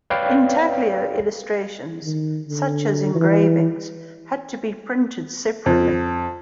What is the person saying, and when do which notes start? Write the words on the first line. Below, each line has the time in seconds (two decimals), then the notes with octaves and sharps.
Intaglio illustrations, such as engravings, had to be printed separately.
0.10 B4 C#5 D5 F5 G5
2.03 D#3
2.48 D3
3.15 E3
5.66 F2